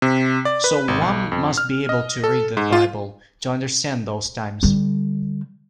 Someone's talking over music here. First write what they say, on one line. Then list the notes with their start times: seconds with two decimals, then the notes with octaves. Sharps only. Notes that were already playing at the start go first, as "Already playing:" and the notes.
So one must be able to read the Bible to understand those times.
0.02 C3
0.45 D5
0.64 B4
0.88 G#1
1.02 B1
1.32 F2
1.57 F6
1.89 D#5
2.24 A4
2.57 G#2
2.73 F4
4.63 D3 G3